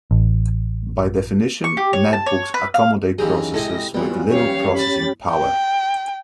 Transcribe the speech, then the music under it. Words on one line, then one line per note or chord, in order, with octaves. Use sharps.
By definition netbooks accommodate processors with little processing power.
A1
C#6
G4
C#5
A5
C#5
B4
F5
D#2 E3 F#3 C#4 G4 G#4
C3 G#3 E4 A4 D#5 A#6
D#2 E3 F#3 G3 B3 F4 F#4
C#4 G4 C#5 F5
B5 A6
G5